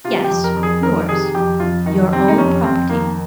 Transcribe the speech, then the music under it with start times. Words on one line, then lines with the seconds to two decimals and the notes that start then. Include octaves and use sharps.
"Yes; yours--your own property."
0.04 C3 F4
0.24 G4
0.31 F2
0.44 A#4
0.56 F2
0.63 G#4
0.82 D#3 A#4
1.09 C3 G#4
1.34 F2 G4
1.60 F2 F4
1.86 D#3 D#4
2.13 C3 C4
2.28 D#4
2.38 F2 C#4
2.63 F2 C4
2.89 D#3 A#3